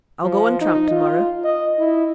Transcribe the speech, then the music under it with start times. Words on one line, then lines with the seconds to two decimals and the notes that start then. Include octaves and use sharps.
I'll go on tramp to-morrow.
0.24 F3
0.61 D#4
0.92 F4
1.44 D#5
1.79 E4